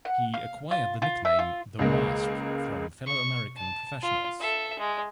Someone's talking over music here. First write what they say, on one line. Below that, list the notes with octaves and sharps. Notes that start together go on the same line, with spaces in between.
He acquired the nickname "the wasp" from fellow American professionals.
F#5
F5
F4
F4
E5
F4
C#2 C#3 G#3 A#3
C#6
A5
F4
A4 E5
G#3